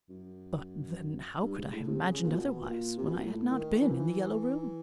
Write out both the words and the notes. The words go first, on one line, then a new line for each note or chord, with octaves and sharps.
But then, how could I have imagined otherwise when I had not been in The Yellow Room!
F#2
G2
G#2
A2
C3
C#3
A#2
B2
A#2
C3
B2
A#2
A2
D#3
E3
F3
E3